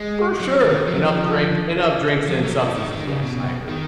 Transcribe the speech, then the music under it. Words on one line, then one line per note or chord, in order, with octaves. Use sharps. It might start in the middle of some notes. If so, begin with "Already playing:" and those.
For sure, enough drinks enough drinks and substances, yes, I agree.
Already playing: G#3
F#3
D#3
F3
F#3
F3
F3
F#3
F3
D#3
D#3
C#3
B2
D#3